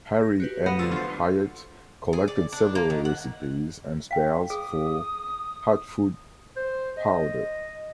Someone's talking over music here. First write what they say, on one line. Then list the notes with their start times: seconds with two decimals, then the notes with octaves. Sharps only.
Harry M. Hyatt collected several recipes and spells for hot foot powder.
0.23 A#6
0.40 F#4 G4 B4
0.66 B3 D#5 F5 F#5
0.79 D3 F3 E6 A6
0.91 F#3 D4 F4 C5
2.13 G#4
2.28 D5
2.53 D4
2.75 A#3
2.90 D#3
3.05 F#5
4.11 F5 G5
4.50 G#4 D#6
6.56 C5
6.97 D#5